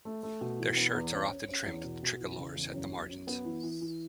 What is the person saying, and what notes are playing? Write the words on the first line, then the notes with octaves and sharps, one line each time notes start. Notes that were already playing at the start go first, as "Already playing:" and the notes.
Their shirts are often trimmed with "tricolores" at the margins.
A3
A3
B2
E3
B3
E2
C#4
C#4
C#4
E2
B2
B2
E3
C#3
E2
F#2
F#2
F#2
B3
E3
E3
E3